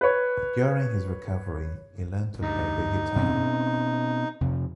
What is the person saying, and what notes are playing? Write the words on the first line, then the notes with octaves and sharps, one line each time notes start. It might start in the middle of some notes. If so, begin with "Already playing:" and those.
During his recovery he learned to play the guitar.
B4 C#5
D2 G2 D#4
B2 C4 C#4
F2 C3